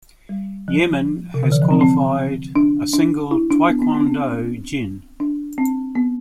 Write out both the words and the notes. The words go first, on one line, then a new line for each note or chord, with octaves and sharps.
Yemen has qualified a single taekwondo jin.
G3
F3
C3
D3
E3
F3
C4
C4
D4
D4
E4
D4
B3
B3
B3
D4
C4
D4
C4
B3